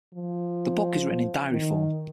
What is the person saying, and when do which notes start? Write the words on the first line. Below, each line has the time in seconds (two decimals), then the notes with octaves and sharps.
The book is written in diary form.
0.14 F3
1.50 D#3